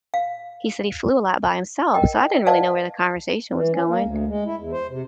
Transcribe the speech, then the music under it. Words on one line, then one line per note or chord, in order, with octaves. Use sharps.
he said he flew a lot by himself, so I didn't really know where the conversation was going
F5
A#4 D#5 G5
B4 D5 D#5 F5 F#5 A5
E3
C#4
A#3
D2
G#3
E4
E2
C5
C3